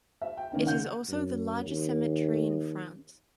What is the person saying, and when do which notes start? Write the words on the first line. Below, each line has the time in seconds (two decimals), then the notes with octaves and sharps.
It is also the largest cemetery in France.
0.22 E5
0.37 G5
0.51 D#3 A#3 C#4 D#4
0.65 C#3 F#5 G6
1.09 F#2
1.66 D#2